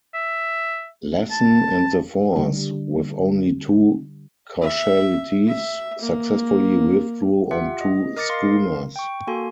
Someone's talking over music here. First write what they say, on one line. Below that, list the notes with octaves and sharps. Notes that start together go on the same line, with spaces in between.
Lassen and the force, with only two casualties, successfully withdrew on two schooners.
E5
A5
D3 G3
E5
E5
A#3
F4 G4 E5 F#5
D#5
A#4 D#5 D6 A6 A#6 C#7
A#4 F5 C6
G5 C#6
A#3 F#4 A4 G#5 C6